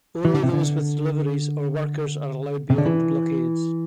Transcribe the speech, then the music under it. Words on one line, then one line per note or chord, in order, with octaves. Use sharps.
Only those with deliveries or workers are allowed beyond the blockades.
E3
D3
C3
D3
C3
D3
E3